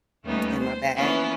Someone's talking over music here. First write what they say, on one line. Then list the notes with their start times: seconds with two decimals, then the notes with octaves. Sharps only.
in my bag,
0.25 D#2 G3 A3 B3 C#4 D#4
0.59 C5
0.96 E3 F3 A#3 B3 C#4 B4